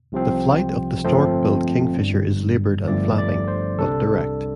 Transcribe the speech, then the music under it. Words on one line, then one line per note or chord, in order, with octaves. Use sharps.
The flight of the stork-billed kingfisher is laboured and flapping, but direct.
C2 C3 F3 C4
G1 F2 F3 A3 C4 C5
G1 G2 G3
G1 G2 D3 F3 A3 D5
D5
C5
C2 C3 G3 D4 A4